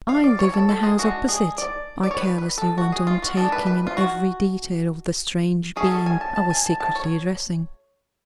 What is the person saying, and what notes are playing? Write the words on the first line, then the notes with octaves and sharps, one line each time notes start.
"I live in the house opposite," I carelessly went on, taking in every detail of the strange being I was secretly addressing.
F5
D5
C#5
A4
A4
G#4
G#3 D4 F#4
G#4
D5
D5
C#5
B4
B4
A4
F#4
G#4
F4
F#4
G#3 D4 A4
B4
B4
F4
F#4
F#3 A3 C#4 G#4
A4
G#5
A5
A5
G#5
A5
A5
C#5